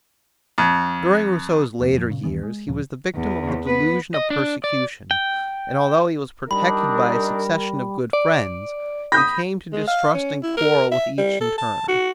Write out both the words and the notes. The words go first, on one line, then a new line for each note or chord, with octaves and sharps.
During Rousseau's later years he was the victim of the delusion of persecution; and although he was protected by a succession of good friends, he came to distrust and quarrel with each in turn.
F2
D#1 F2 C3 A#3
F#2 F3
A#2 C#3
D#2 D#3 E3 B3
G#3
D2 A#2 F3
E2
B3 B4
D#5
D4
D5
G5
G3 D4 D#4 A#4 B5
D5
B5 D#6 G6 A#6
G#3
F5
C#4
E4
A#4
E5
G3
A4
A5
F#4